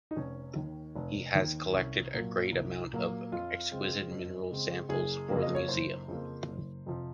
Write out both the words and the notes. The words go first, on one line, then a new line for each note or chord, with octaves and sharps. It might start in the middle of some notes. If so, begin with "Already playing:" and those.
He has collected a great amount of exquisite mineral samples for the museum.
D#4
F1 C#4
D#2 D#3
F1
D#2 D#3
C2 C#4
A#2 F#3 A#3
C2
A#2 F#3 A#3
F2 F4
C#3 G#3 C4
F2
C#3 G#3 C4
F#1 G#4
F2 C#3 F3 A#3
D#5
C#5
F#1 C5
F2 C#3 F3 A#3
F#1
F2 C3 F3